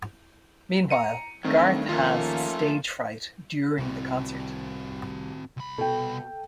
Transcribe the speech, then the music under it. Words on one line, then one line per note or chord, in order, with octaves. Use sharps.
Meanwhile, Garth has stage fright during the concert.
A#5 C#7 D#7
G2 D#3 A3 C4
D#2 F3 A3 A#3 C#4 D#4 F4
C2 C3 C4 F#4
C2 B5
B2 A4 G5